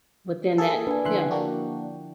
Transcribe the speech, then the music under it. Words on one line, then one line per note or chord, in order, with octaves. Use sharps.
within that Yeah,
A#3 G#4 A4
D4 B4 G#5
D3 F3 E4 E5 C6 F#6
A#3 D4 F#4 G5